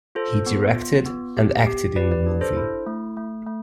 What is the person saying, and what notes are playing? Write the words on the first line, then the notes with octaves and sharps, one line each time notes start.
He directed and acted in the movie.
F4 A4 C5
B3
F4
B3
G4
G4
G4 B4 D5
B4 D5
D4
A4 C5
E4
A3
A3
A3